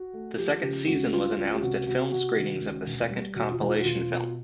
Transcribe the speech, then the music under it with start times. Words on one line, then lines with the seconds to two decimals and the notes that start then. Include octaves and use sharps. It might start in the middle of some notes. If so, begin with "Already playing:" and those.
The second season was announced at film screenings of the second compilation film.
Already playing: F#4
0.13 A3
0.38 F3 G4
0.63 C#3 G4
0.87 C#2 F#4
1.13 F#3 F4
1.37 C#2 F4
1.53 G4
1.63 C3 F#4
1.87 C3 F#4
2.12 C3 F#4
2.36 D#3
2.61 C#2
2.86 E1
3.11 G3
3.36 E1 F#4
3.52 F4
3.60 E1
3.69 F4
3.80 F#4
3.85 E1 F4
4.10 B2